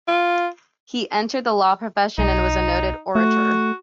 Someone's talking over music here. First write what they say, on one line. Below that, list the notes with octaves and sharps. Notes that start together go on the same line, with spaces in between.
He entered the law profession, and was a noted orator.
F4
B1 D#4
A3 F#4